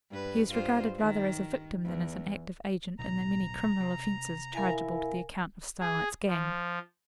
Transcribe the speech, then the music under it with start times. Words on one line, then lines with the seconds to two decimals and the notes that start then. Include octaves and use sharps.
He is regarded rather as a victim than as an active agent in the many criminal offences chargeable to the account of Starlight's gang.
0.11 G2 B4
0.49 G2 F4 C5
0.98 D#3
1.84 E2
2.99 B1 A2 D#3 A#5
3.80 C3
4.55 E4 A#4 F5 G#5
5.80 G#4
6.27 F3